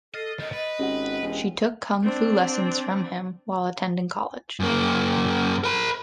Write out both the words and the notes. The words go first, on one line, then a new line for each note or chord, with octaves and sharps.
She took Kung Fu lessons from him while attending college.
A4 D#5 F6 A6 C7
C2 F#2 D#5
B4 D#5
G#1 C#4 G4 F#5
E1
C4 D4
F#2 A#3
A#4 B5